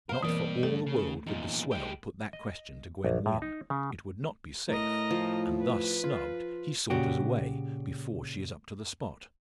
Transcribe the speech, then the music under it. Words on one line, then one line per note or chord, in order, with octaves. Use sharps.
Not for all the world would the swell put that question to Gwen Wynn. It would not be safe; and thus snubbed he saunters away, before she is up to the spot.
A#4 C5 F5
G2 B2 E3 A#3 C4 D5
A3 A4
C#3
E2 A#2 D#4 F4
G#3 G4
D#5
A#1
A2
D#4
C#3
A2 A#4 D#5
F3
B4
F4
A#2 C#3 F#4 G4